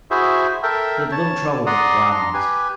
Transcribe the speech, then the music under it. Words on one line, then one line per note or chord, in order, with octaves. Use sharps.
He had little trouble with the robins.
E4 F#4 G#4 C5 E5
A4 A#4 E5 G5
C#5 A5
D5 F#5 A#5 C6 D#6
D4 A#5 C6
G4 B4 G#5